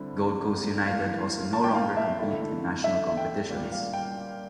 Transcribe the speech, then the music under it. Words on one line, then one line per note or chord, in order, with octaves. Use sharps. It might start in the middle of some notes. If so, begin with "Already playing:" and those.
Gold Coast United also no longer compete in national competitions.
Already playing: D3 G3 C4 E4
A2 E3 A#3 F5
A5
G5
F5
E5
D3 A3 E4
E5
G5
A#2 G3 A#3 F4
F5
G5